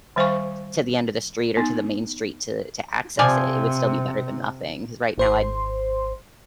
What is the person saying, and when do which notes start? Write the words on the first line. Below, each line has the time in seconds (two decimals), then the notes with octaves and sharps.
to the end of the street or to the main street to to access it, it would still be better than nothing 'cause right now I
0.16 D#3 G3 C5 F5 G#5 C#6
1.57 B3 D#4
3.19 C3 F3 D5 G#5
5.18 G#1 C5 C6